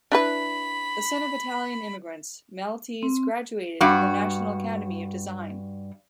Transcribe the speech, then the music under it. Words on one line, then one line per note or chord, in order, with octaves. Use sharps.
The son of Italian immigrants, Maltese graduated from the National Academy of Design.
D4 E4 B4 B5
C4
G2 F#4